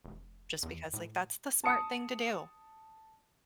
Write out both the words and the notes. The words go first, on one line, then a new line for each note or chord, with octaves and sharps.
just because, like, that's the smart thing to do,
F1
E2
A2
A5 D#6 C#7